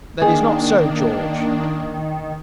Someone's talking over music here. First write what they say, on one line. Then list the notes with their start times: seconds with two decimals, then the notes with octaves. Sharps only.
'That is not so, George.'
0.22 D#3 A#3 D4 G#4